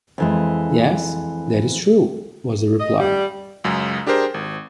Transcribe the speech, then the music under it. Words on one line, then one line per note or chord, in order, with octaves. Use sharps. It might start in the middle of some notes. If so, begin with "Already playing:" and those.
"Yes, that is true," was the reply.
F2 E3 G#3
D#5
G3
C#2 F#2
D4 G4 G#4 A#4 C5
G#1